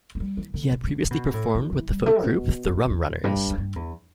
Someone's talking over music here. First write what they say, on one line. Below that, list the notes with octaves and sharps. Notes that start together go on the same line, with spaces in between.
He had previously performed with the folk group the Rum Runners.
A3
G3
E3
D3
B2
D3
B2
A2
E3
E3
G3
A3
B2
E2
G2
G2
E2